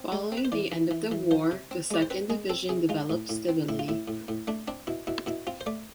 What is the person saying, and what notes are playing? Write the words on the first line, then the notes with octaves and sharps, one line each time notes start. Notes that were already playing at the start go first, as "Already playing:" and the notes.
Following the end of the war, the second division developed stability.
Already playing: C4
G#3
C4
B4
C5
E3 D5
E3
E3
E3
F3 C5
C3
C4
G#3 D5
C5
C4 B4
G#3 G#4
C4 A4
C3 G#4
G#3 F4
A2
A2
C4
A2 E4
F4
A2 E4
A2
A2
A3 D4
C4 D4
B2 E4
B2 E4
B2 E4
C4 F4
C5
A3 D5